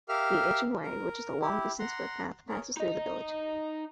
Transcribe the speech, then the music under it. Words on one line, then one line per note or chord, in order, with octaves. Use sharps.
The Itchen Way, which is a long-distance footpath, passes through the village.
G4 A#4 E5 F5 F6
A#4
E4 G4
F#5 A#5 C6
G#4 A#4 C#5
D#4 D#5